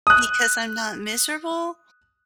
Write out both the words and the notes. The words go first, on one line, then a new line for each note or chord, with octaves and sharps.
because I'm not miserable
D#6 F#6